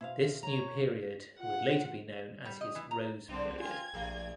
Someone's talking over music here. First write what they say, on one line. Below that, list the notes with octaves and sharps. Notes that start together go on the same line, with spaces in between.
This new period would later be known as his Rose Period.
B2 E4 C5 F5
C#5 A#5
F4 F#5
G3
D#5
E3
A#5
C2 C#3 C4 D4
F4 G5 G#5 G#6
A#1 G3 A3 G#4